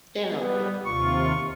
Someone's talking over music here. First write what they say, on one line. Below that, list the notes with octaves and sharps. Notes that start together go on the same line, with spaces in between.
They don't care.
G3 B3
D#2 C3 F4 C#6